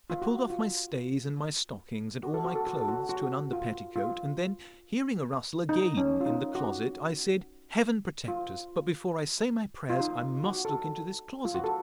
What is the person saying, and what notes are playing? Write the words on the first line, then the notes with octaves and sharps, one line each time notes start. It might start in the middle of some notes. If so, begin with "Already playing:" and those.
I pulled off my stays, and my stockings, and all my clothes to an under-petticoat; and then hearing a rustling again in the closet, I said, Heaven protect us! but before I say my prayers, I must look into this closet.
F4
F#4
F4
F#4
A4
F#4
A4
F#4
A4
F#4
F#4
F4
F4
D#4
C#4
F4
D#4
F#4
F4
F4
D#4
F#4
A4
F4
F#4
A4